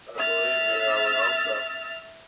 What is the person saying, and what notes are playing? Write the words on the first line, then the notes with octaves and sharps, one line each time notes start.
I believe you, I would hope so.
E5 F6 A6